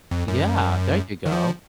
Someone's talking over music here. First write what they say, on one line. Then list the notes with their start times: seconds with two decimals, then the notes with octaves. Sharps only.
Yeah, there you go.
0.11 F2
0.28 F#2
1.26 D#3
1.32 F3